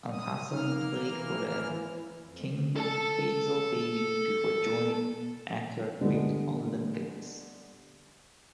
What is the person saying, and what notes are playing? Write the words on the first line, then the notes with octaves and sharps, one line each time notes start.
Alhassan played for then King Faisal Babies before joining Accra Great Olympics.
D#6
A#3 D#4 F6
E3
F2
A4 A5
G2 D3 G#3 B3